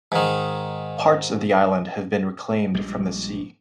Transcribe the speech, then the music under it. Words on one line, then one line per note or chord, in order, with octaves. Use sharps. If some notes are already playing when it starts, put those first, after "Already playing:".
Parts of the island have been reclaimed from the sea.
G#2 D#3
A#1 G3 G#3